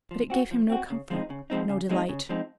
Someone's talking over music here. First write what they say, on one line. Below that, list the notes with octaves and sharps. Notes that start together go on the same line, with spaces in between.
But it gave him no comfort, no delight.
F3
C4 F#4
F3
C4 F#4
C#3
F3 G#3 C4 D#4
C#3
F3 G#3 C4 D#4
C#3
F3 G#3 C4 D#4
C#3
F3 G#3 C4 D#4